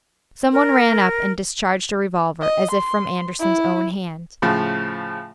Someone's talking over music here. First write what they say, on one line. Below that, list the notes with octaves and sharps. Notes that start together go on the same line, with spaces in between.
Some one ran up and discharged a revolver as if from Andersen's own hand.
A#4
D#5
C6
E4
A2 C#3 F3